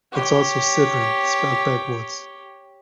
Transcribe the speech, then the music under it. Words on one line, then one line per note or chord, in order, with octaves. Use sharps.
It's also "Sidran" spelled backwards.
G4 C#5